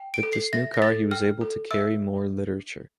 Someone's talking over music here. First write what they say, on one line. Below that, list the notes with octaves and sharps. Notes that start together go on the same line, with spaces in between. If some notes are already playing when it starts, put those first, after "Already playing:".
With this new car he was able to carry more literature.
Already playing: G5
D7
A4
C7
E5 A#6
A#6
A4 A6
G5 F6
A4
E5 E6